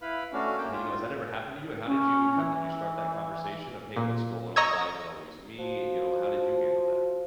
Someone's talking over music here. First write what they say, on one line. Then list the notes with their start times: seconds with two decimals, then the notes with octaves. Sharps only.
Hey, you know, has that ever happened to you? And how did you kind did you start that conversation of, "Hey, what's going on? Why is it always me?" You know, how did you handle that?
0.02 E4 B4 F5 B5
0.33 A3 C#4 D4 F#4 F5
0.58 A#3 G5 D6
0.72 F4
1.86 C#4
2.36 E3
3.96 A#2
4.56 D#5 A#5 C#6 D#6 E6 G#6
5.59 F3 F#4